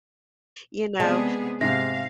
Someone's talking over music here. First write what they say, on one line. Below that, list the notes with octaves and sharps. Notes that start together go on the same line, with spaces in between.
You know?
C3 G#3 B3 G#4 D5 A5
G#2 C3 F5 A#6